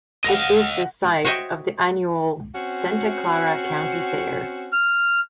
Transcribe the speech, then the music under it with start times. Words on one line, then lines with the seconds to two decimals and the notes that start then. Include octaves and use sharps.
It is the site of the annual Santa Clara County Fair.
0.24 D#5 F5 F#5 A#6
1.25 F#4 C5 C#5 D#5 E5 G5
2.55 C4 C#4 F#4
4.73 F6